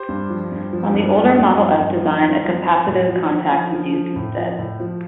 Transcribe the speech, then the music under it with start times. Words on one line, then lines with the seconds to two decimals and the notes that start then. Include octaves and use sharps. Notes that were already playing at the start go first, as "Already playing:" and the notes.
On the older Model F design, a capacitive contact was used instead.
Already playing: G4 C5
0.09 G2
0.30 F3
0.51 G2
0.73 F3
0.94 G2
1.16 G2 F4 A4
1.38 G2
1.59 F3
1.81 G2
2.01 F3
2.23 G2
2.44 F3 C4 F4
2.66 F3
2.87 A2
3.09 F3
3.30 F3
3.52 F3
3.73 F3
3.94 F3
4.16 A2
4.38 F3
4.59 A2
4.80 F3